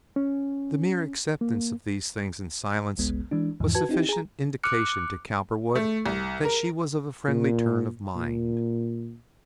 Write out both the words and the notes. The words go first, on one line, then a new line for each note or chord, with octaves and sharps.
The mere acceptance of these things in silence was sufficient indication to Cowperwood that she was of a friendly turn of mind.
C#4
A#3
G1 C#2 G#3 B3
E3 G#3 D4
E2 G#2 E3 F3
F#4 B4 A5 G#6
C4 D#4 E4 G4
G#4 A#5
D6 F6 F#6 C#7
A3
C2
A#4
A#2
A#2